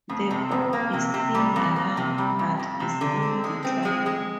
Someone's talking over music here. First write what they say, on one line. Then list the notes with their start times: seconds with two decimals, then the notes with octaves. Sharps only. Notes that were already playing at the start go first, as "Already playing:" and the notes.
The oak is still alive, but is in decline.
0.09 F2
0.31 C3
0.51 F2
0.73 A#3
0.93 C3
1.14 C3
1.35 G3
1.56 F2
1.76 A#3
1.97 C3
2.18 G3
2.39 F2
2.59 F2
2.80 C3
3.01 D3
3.23 C4
3.44 G#3
3.64 C4
3.85 G#3
4.06 G#3